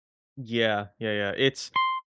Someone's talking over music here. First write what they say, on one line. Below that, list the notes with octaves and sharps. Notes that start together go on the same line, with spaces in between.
Yeah. Yeah, yeah. It's
C6